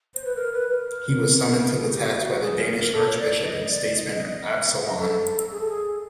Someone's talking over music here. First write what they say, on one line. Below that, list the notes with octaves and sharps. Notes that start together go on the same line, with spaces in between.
He was summoned to the task by the Danish archbishop and statesman Absalon.
C5
B4
A#4
B4
B4
A#4
G#4
G4
F#4
G#4
A#4
A#4
A4
C#5
D5
D#5
D5
D#5
D#5
D#5
E5
E5
D#5
A4
G#4
A4
G#4